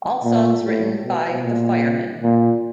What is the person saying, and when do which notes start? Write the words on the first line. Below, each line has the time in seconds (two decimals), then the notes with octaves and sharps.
All songs written by The Fireman.
0.24 A#2
0.64 A2
1.04 B2
1.43 A#2
2.23 A#2